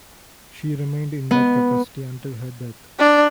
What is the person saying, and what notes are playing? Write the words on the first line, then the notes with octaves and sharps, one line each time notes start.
She remained in that capacity until her death.
B3
D4